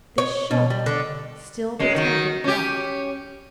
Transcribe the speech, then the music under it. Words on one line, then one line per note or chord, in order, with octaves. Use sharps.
This shot still betokened life.
C#5
B2
G3
D3
F#2 G#3
D#3 F#3
C#4 G4